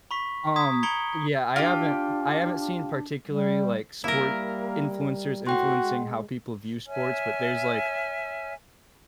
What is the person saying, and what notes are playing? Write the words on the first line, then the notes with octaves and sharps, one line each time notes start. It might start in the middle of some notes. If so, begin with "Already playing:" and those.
Um, yeah, I haven't I haven't seen particularly, like, sport influencers influencing how people view sports, but there's, like
B5 C#6 B6
A#5 D#6 G#6 B6
A#5 B5 G#6 C#7 D7 G7
D4 F4 G4
G3
G3 A#3 E4 A#4
A2 F#4 F#5 G5 C6
G#3
C#5 E5 G#5 F6